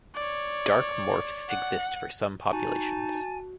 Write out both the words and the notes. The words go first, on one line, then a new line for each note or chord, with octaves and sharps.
Dark morphs exist for some populations.
C#5 D5
F#5
D#4 F#4 G#5 A5